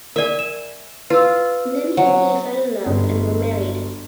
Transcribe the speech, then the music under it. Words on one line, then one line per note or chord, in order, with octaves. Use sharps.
Nemi and he fell in love and were married.
A#4 D5 E5 G#5
E7
F4 B4 E6
F#3
G1